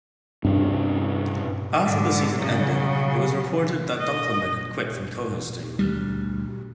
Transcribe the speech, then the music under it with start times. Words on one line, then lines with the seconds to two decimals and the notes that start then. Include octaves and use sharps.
After the season ended, it was reported that Dunkleman had quit from co-hosting.
0.45 G2 C3 C#4 D4
1.84 G#2 D3
2.36 C#3 F#3
4.00 D#5
5.79 D2 G3